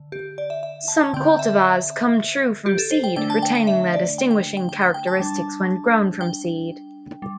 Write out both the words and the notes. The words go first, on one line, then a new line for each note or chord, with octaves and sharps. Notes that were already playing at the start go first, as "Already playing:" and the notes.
Some cultivars "come true from seed", retaining their distinguishing characteristics when grown from seed.
Already playing: D3
G4
D5
E5
E5
A5
D3 C4 G5
E5
G4
A4
C5
G5
D3 A3 D4 G5
A5
G5
G5
E5
D5
G5
G5
G5
G5
G5
G5
A5
G3 D4
G5
G3